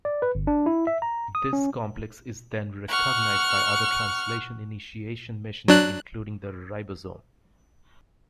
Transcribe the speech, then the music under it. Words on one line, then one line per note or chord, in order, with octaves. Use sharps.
This complex is then recognized by other translation initiation machinery including the ribosome.
D5
B4
G1
D4
E4
E5
A#5
D#6
C#4
F#5 C#6 F6
F#3 D4 F#6